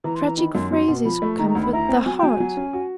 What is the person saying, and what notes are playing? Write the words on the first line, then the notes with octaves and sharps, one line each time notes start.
Tragic phrases comfort the heart....
E3 A#5
C6
E3 A#5
D#3 B5
F#2 C6
F#3 C6
B2
F3 B5
A3
D#3 A#5
A#5
D2
B5
E4 A#5
C4
F#3 G#5
G5
F#3
G#5
F#3
C#4
F#4